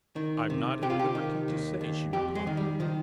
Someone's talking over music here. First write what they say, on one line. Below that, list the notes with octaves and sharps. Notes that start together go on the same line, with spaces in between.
"I'm not at liberty to say," she replied.
D#3
C3
C3 G4
F4
G4
D#3
D#2
D#2
F2 G4
G#3
D#3
G3
D#3 F3